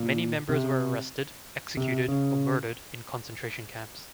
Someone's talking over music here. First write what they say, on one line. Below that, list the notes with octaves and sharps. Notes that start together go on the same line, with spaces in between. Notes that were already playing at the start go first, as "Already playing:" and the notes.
Many members were arrested, executed or murdered in concentration camps.
Already playing: A#2
C3
C3
C#3